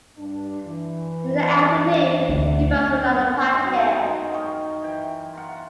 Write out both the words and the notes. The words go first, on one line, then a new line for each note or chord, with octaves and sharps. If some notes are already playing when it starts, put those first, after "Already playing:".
In the afternoon he brought another packet.
G2 D4
E3
D2
F#3 D#4 C5
D#3 G#3
A#4 D#5 G5 C#6
E3 G5
F4 A#4 F#5